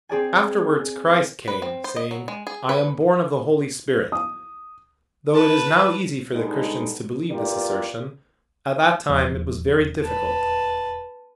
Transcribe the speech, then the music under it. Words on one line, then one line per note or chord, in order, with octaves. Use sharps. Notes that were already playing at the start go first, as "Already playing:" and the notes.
Afterward Christ came, saying, "I am born of the Holy Spirit." Though it is now easy for the Christians to believe this assertion, at that time it was very difficult.
C4 G#4 D5 G#5
B4
C4
C5
D#5
F#3
G#3
G#4
B4
D#6
B4 A5
G3 G#3 B3 D4 D#4 A4
E2 F4 G4 A#4 D5
D#1 E2 F3
B4 A5